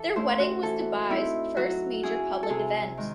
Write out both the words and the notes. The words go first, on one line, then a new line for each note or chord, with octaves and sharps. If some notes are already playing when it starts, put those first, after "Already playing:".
Their wedding was Dubai's first major public event.
Already playing: E3 A4
A3 C#4 E4 C5
F#4
E3 A4
C4 D#4 E4
F#3 F#4
C#4 E4 G#4
A4
C3 G#4
D#3 G#3